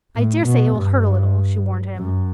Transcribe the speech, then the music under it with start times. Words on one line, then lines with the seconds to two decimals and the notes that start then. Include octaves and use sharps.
"I daresay it will hurt a little," she warned him.
0.16 A2
0.45 B2
0.76 G2
1.96 F#2